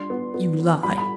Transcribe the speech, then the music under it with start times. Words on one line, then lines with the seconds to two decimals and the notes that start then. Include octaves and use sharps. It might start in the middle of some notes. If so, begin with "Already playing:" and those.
"You lie!"
Already playing: G3 D4 C6
0.10 B3
0.34 B3
0.59 B3
0.83 G3 B5
0.98 B5